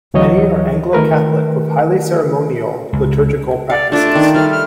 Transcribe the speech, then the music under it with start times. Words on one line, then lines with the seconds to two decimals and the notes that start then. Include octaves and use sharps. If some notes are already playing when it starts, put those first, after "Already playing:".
Many are Anglo-Catholic with highly ceremonial liturgical practices.
0.14 D2 E3 F#3 C#5 D#5
0.93 D#3 A3 A#4 B4
2.93 C#2
3.70 D5 F5
3.92 A3 D4 F4
4.15 D#3
4.34 G3 A3 F6
4.51 F6